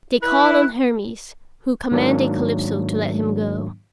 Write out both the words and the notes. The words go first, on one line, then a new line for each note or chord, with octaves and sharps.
They called on Hermes, who commanded Calypso to let him go.
E4 B4 F#6
G#2 D#3 F#3 A#3 D4